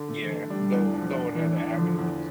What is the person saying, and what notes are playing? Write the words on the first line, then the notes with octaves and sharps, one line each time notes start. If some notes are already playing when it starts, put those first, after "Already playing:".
Yeah, go go another avenue.
Already playing: D3 D4
A3
E3
A3
G3 D4
E2
F3 D4
D4
E2 E3
D4
D3 F3
E2